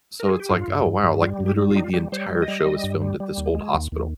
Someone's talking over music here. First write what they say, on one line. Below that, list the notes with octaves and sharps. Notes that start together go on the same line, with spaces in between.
so it's like, oh wow, like literally the entire show was filmed at this old hospital.
A#4
G#4
G4
G2 F4
G2
G2
G2
G3 F4
G2
G4
G3
F4
G3 D#4
F4
G3 G4
G3 C5
C#5
G3
D#5
G3
G3
G2
G3
G3
D#2
G#3
D#2
D#2